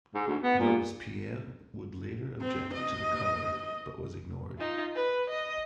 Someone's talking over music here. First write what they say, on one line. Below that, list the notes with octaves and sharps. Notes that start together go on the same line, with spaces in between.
Robespierre would later object to the color, but was ignored.
G#2
D2
B3
A#2
C4
D#5
D#4 F4
B4
D#5